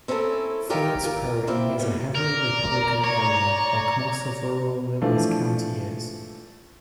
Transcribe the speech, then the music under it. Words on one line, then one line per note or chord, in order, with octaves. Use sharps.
Fords Prairie is a heavily Republican area, like most of rural Lewis County is.
C4 C#4 E4 F4 A4 A#4
D#4 F4 G4 A#4 C#5 E5
F4 G4 A#4
A#3 C4 E4 D5
G2 B2 C#4 G4
A#4 D5 A#5
C#5
E3 F3 A3 D4